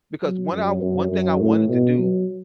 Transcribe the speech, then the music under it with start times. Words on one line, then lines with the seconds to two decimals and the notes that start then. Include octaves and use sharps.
because one I one thing I wanted to do
0.24 F#3
0.53 F#2
0.82 F#2
1.11 F#2
1.40 A2
1.69 B2
1.98 F#3